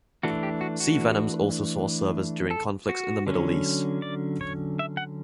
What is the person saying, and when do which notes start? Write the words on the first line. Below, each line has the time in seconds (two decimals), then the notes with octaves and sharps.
Sea Venoms also saw service during conflicts in the Middle East.
0.23 E3 A3 D4 F#4
0.43 G4
0.61 F#4
0.80 F#4
2.51 A4
2.89 F#4
3.27 D3 F#3 C#4
4.02 D5
4.41 C#5
4.79 E5
4.97 F#5